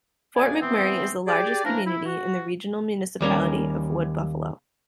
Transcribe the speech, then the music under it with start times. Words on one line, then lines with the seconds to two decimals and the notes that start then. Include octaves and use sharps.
Fort McMurray is the largest community in the Regional Municipality of Wood Buffalo.
0.36 D2 A#2 B3 D5 G#5
0.61 E3 B3 C4
1.27 G4 G#4 D5
1.64 E3 F3 A3 D4 E4 A#4
1.86 E4
2.06 F#4
3.21 D#2 G3 A#3 C#4